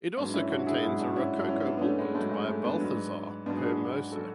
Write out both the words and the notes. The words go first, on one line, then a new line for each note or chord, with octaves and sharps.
It also contains a Rococo pulpit by Balthasar Permoser.
G#2 F#3 B3 D4
C#4 E4
D4 F#4
F#4
E4 G#4
G#2 F#3 E4 G#4
D4 F#4
C#4 E4
D4
G#2 F#3 C#4 E4
C#4
B3 D4
B3
A3 C#4
G#3 B3
G#2 F#3 A3
G#3
A3
B3 D4
G#2 F#3
G#2 F#3 B3 D4
G#4
D4 F#4
F#3 F#4 A4